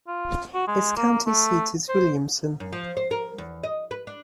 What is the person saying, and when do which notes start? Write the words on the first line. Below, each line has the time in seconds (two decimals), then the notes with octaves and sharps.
Its county seat is Williamson.
0.08 F4
0.54 F#4
0.68 G#3
0.97 A#3
1.27 A3
1.89 C5
2.60 F#2
2.73 F3
2.97 C5
3.11 A#4
3.38 E2
3.64 D#5
3.91 B4
4.07 D4